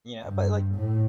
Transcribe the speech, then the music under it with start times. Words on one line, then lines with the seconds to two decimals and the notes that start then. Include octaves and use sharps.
Yeah, but like
0.23 G2
0.75 A2